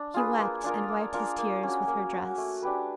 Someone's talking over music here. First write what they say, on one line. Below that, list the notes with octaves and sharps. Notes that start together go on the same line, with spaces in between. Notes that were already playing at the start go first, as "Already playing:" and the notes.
He wept and wiped his tears with her dress.
Already playing: D4
F4 G#4 B4
A#3
D4 F4 A#4
A#3
D4 F4 A#4
A#3
C#4 F#4
A#3
C#4 F#4
A3
D4 G4 B4